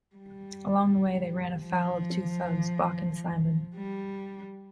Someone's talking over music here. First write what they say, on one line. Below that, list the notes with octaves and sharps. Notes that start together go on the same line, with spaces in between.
Along the way, they run afoul of two thugs, Bock and Simon.
G3
F3
G3